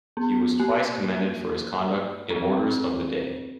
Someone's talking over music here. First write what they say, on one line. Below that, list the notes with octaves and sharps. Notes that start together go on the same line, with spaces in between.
He was twice commended for his conduct in orders of the day.
B3
A#3
C4